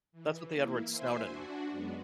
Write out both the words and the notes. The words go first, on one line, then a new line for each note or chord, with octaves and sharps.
that's what Edward Snowden.
E3
A#3 E4
C5 E5 G#5 C6
D4 F#4
F#2 G#3 B3